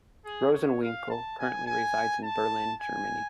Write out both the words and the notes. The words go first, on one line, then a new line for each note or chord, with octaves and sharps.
Rosenwinkel currently resides in Berlin, Germany.
G#4
C#5
F5
A5
G#5
G#5
A5
G#5